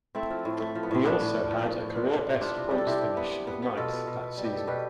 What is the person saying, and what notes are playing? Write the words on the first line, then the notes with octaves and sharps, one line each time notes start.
He also had a career-best points finish of ninth that season.
A3 C4 E4
F3
A2
A3
F3
B3
A2 C4
A2 B3 D4
A2
F3
F3
A2
A2
B3 D4 F4
C3
C3
B3 D4 F4
C3
G3
A4
C3 E4 G4
C3
B3
B3
B3
B3
B2 F4 A4
B3
B2
B3
G3
G4
B3 A4
B2 G4 B4